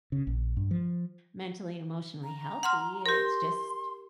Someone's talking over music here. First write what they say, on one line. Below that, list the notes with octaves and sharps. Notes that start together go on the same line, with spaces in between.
mentally and emotionally healthy, it's just
C#3
A#1
G2
F3
A#5
F#5 C6 F6
G4 A#4 C6